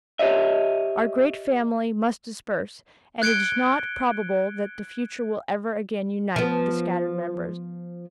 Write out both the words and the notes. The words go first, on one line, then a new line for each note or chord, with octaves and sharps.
Our great family must disperse, and it is not probable that the future will ever again unite the scattered members.
G4 C#5 D#5 E5
F#6 G#6 C#7 D7 G7
F3 B3